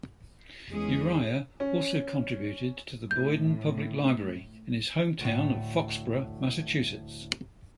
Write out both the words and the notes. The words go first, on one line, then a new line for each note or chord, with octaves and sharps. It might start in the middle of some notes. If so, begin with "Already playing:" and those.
Uriah also contributed to the Boyden Public Library in his hometown of Foxborough, Massachusetts.
E2 G#3 C#4 G#4
C#4
A2 G6
D2 A2